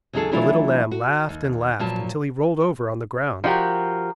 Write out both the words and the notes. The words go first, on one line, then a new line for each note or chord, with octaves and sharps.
The little lamb laughed and laughed until he rolled over on the ground.
D#2 C#3 F#3 D#4 G#4 A4
E3 F#3 A3 D4 E4 F4
F#4
D#2
A#2 F3 F#3 B3 A5
F3 D#4 F#4 G4 A#4